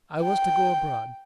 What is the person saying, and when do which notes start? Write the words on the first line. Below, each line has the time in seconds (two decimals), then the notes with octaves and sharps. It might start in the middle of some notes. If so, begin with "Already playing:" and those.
I was to go abroad.
0.22 G5